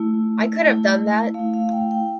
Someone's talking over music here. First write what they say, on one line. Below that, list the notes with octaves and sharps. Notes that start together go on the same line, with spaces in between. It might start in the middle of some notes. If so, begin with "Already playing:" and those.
I could have done that.
Already playing: A3 E4
A3 E4
A3 E4 F5
F5
G5
G5